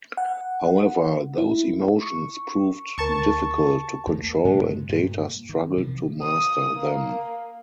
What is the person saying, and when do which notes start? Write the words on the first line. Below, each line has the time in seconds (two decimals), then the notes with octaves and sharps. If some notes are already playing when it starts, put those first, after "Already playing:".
However, those emotions proved difficult to control and Data struggled to master them.
0.17 F#5
1.38 E4
2.02 C#6
2.98 D2 A#4 A5 C#6
4.07 E2 A3 A#3
4.45 G2 C#3 G#3 A3
4.89 G2 A#2
5.49 D#3
5.78 C3 E3 F3
6.23 D#6
6.77 A#3